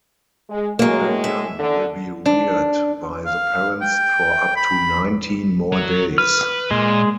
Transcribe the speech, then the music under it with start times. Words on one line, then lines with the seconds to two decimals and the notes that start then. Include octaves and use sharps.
The young will be reared by the parents for up to nineteen more days.
0.50 G#3
0.79 A2 F#3 G#3 A#3
1.24 E5
1.59 D3
2.26 D4
3.26 F5
3.82 G5
4.56 B5
5.72 F#3
6.18 B4 F6
6.71 A#2 G#3